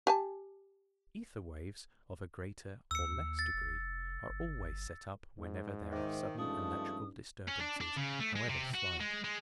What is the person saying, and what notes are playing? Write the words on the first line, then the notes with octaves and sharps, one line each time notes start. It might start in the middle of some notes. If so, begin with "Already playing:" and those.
Ether-waves of a greater or less degree are always set up whenever there are sudden electrical disturbances, however slight.
G4 G#5 A5
D#2 E6 C#7
A6
F1
G1
G#2
D#3 C5 E5 D6
G2 F3 G#3 A3 C#4 D#4 D#6
C#4
D4
D4
C#3
A3
G#3
C3
F#4
G#3
G#3